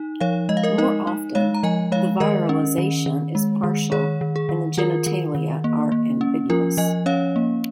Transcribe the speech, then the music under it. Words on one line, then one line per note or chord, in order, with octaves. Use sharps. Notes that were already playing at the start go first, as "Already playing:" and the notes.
More often, the virilization is partial and the genitalia are ambiguous.
Already playing: D#4
F3 C#5 F5
G#3 D#5
F5
A#4 D#5
D#4 A#4 D#5
D#4
G#3 C#5 F5
A#5
F3 D#5 G#5
G#3 C#5 F5
D#3 A#4 D#5
C#4
D#3
D#3
G#3
D#3
D#3 G#4 C#5
D#3
G#4
D#3
D#3 F4 A#4
D#3
D#3
A#3
A#3
C#4
F3 F4 A#4
F3 D#5 G#5
C#4 C#5 F5
A#3